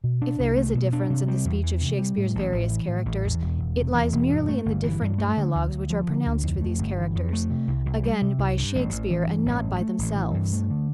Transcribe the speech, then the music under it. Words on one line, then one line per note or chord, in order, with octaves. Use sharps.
If there is a difference in the speech of Shakespeare's various characters, it lies merely in the different dialogs which are pronounced for these characters--again by Shakespeare and not by themselves.
B2
D4
C2
A3
B2
D4
C3
G3
E2
E3
C3
G3
A2
A1
A1
E3
A2
A1
E2
E1
E1
C3
E2
E1
G2
A3
G1
E3
G2
A3
D3
D2
D2
F3
D3
D2
F2
A3
G1
E3
F2
A3
C3
C2
C2
G3
C3
C2
G2
A1
A1
E3
G2
A1
G2
A3
A1
E3
G2
A3
D3